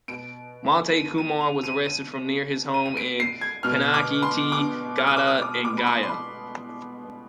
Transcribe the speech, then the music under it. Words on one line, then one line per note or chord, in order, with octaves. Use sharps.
Mantu Kumar was arrested from near his home in Panchayatee khada in Gaya.
B2 D7
D#7
D#7
F7
D#7
D#7
D#7
D#7
D7
C7
G#6
B2 F6
D6
C6
D6
F6
D#6
D6
D#6
D6
D6
B5
C6
C6
B5